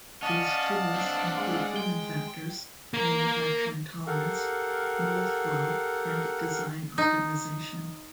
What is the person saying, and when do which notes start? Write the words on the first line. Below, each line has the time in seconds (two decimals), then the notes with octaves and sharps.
These tools include human factors, manufacturing tolerance, mould flow and design optimization.
0.22 C#4 D5 D#5 F5 F#5 A5
0.95 C4 D4
1.36 G#3
1.77 G5
2.94 A#3 A#4
4.07 G4 A4 A#4 F5 F#5
6.98 D#4